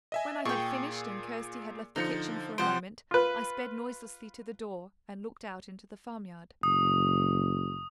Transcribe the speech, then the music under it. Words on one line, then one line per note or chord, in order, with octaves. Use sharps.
When I had finished, and Kirsty had left the kitchen for a moment, I sped noiselessly to the door, and looked out into the farmyard.
D#5 E5 G#5
A#2 G#4 G5 C#6
D3 F3 D#4 C#7
C3 F3 C5 F#5 D7
F4 B4
F#1 D#6